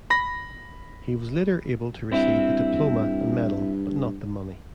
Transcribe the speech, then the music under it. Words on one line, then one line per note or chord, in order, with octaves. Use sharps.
He was later able to receive the diploma and medal but not the money.
B5 A#6
G2 C4 E4